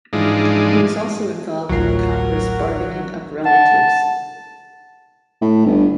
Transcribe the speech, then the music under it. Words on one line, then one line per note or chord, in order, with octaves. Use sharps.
He was also involved in the Congress bargaining of relatives.
G#2 E3 F3 G#3 D4 D#4
A1 D2 F3 F#3 A#4 C7
F#5 A5
A2
G1